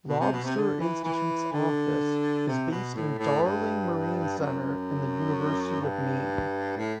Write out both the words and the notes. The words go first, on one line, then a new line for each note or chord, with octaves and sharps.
Lobster Institute’s office is based in Darling Marine Center in the University of Maine.
B2
C3
B2
C3
D3
E3
E3
D3
C3
B2
A2
A2
G2
F#2
G2
A2